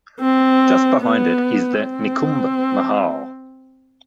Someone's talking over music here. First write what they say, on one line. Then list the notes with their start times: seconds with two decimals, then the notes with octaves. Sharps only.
Just behind it is the Nikumbh Mahal.
0.20 C4
1.01 B3
1.81 C4